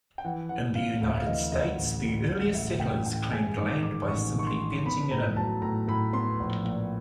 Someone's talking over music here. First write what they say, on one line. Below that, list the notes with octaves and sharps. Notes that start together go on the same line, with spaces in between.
In the United States, the earliest settlers claimed land by simply fencing it in.
G5
E3 F#5
E3 F#5
C3 F5
D2 F5
E5
F5
E3 D#5
D2 D#5
A1
A2
A1
A2 E5
A2 G5
A1 G5
G#3 G#5
D#3 D6
G#2 D6
A1 C#6
D#3
C#6
C6
D#3
B3 B5
A2 A#5
F#3 A5
A2 A#5
A2 B5
B3 C6
A#1
A#2